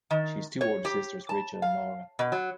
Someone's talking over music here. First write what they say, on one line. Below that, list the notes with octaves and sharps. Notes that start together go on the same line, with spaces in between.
She has two older sisters, Rachael and Laura.
D#3
C#5
G4
A5
F5
B2
F#3